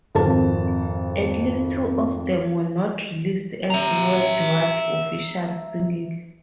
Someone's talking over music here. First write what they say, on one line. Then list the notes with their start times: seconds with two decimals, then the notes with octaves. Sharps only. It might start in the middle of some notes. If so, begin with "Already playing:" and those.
At least two of them were not released as worldwide official singles.
0.15 G#1 F2 A4 A#4 A5
3.70 E5 A#5